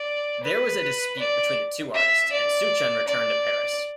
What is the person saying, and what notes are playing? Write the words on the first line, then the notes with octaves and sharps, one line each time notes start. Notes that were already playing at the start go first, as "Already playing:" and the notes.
There was a dispute between the two artists, and Souchon returned to Paris.
Already playing: D5
B4
D5
E5
D5
D5